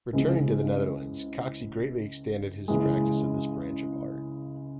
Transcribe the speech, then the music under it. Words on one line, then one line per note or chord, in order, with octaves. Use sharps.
Returning to the Netherlands, Coxie greatly extended his practice in this branch of art.
C#2 C#3 E3 G#3 C4
C#2 C#3 E3 G#3